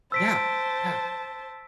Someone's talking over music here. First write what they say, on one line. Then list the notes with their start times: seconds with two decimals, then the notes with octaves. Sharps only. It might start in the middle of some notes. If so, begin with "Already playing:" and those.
Yeah, yeah.
0.12 C5 A5 E6 B6 D7